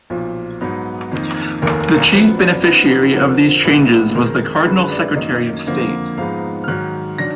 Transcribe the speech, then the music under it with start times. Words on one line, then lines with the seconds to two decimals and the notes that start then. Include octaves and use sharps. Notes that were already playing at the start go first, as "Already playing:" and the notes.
The chief beneficiary of these changes was the Cardinal Secretary of State.
0.10 B1 A#2 F3
0.61 G#2 F#3 B3 D#4
1.12 F2 D#3 A#3 D#4
1.62 F1 D#2 D#3 A#4
1.80 A#4
2.12 F#2 F3 B3 B4
2.38 D5
2.63 F#2 F3 B3 D#4 B4
3.13 F2 D3 F3 A#4
3.64 A#1 A#2 G#3 B3 D#4 B4
4.15 F2 D#3 G#3 D#4 A#4
4.65 F#2 D3 G#3 B4
4.80 B4
4.91 D5
5.16 F#2 D#3 A#3 D#5
5.67 F2 D3 F3 A#3
6.17 G#2 F3 G#3 B3 D#4 F5
6.64 F6
6.68 G#2 D#3 F#3 F#6
7.18 D#3 F#3 D4 A#6